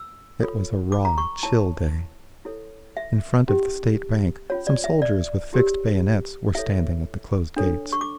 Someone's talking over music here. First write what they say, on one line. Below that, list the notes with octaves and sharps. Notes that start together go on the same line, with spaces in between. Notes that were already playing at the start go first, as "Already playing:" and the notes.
It was a raw, chill day. In front of the State Bank some soldiers with fixed bayonets were standing at the closed gates.
Already playing: E6
F4 A4 C#5
D6
A#5
C#6
E4 A#4 C#5 A5
E4 A4 C#5
E5
C#4 E4 G4
C#4 F4 C#5
D5
E5
D5
E4 G4 A#4 C#5
E4 A4 C#5 E5
D4 A4 C#5
C#6
D6